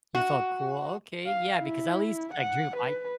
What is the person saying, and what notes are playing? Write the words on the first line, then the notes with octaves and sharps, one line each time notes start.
You felt cool? Okay, yeah, because at least I dreamed, I
F#4
F5
E4
F#5
B4